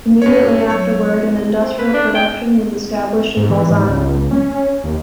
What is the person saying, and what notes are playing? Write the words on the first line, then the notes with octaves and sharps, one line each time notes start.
Immediately afterward, an industrial production was established in Bolzano.
G2 C#4 C#5
F#3 C#5
C4
B4
D4
G5
G#2
E3
G#2
C#2
C#4
D#2